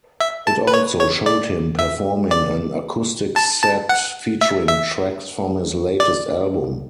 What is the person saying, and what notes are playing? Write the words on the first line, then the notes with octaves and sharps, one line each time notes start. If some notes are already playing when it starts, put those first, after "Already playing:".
It also showed him performing an acoustic set featuring tracks from his latest album.
E5
A5
B4
C#5
C#5
D5
E5
D5
A5
A5
F#5
E5
E5
D5